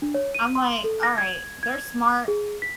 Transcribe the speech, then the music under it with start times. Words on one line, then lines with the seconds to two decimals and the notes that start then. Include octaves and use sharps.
I'm like, "All right, they're smart
0.02 D4
0.14 C#5
0.35 D#7
0.55 C6
0.84 A4
1.03 A#6
1.18 G#6
1.63 G#6
2.28 G#4
2.62 B6